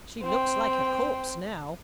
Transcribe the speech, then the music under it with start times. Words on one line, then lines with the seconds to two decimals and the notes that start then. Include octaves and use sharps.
She looks like a corpse now.'
0.23 C4 G5